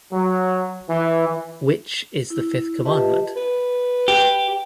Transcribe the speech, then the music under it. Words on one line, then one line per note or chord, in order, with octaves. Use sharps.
Which is the fifth commandment?
F#3
E3
E4
F4 G4 B4 D#5 E5 A5
B4
G4